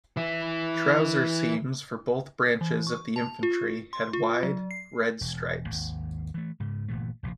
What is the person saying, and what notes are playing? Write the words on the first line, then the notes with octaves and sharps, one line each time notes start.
Trouser seams for both branches of the infantry had wide red stripes.
E3 E4
E3
C#6
A5
F4
C6
F4
F#3
C7
E1
G#1 D#2
E3 A3
G#2 C#3
G1 A#2 E3 A3
F1 A#1 A2 F3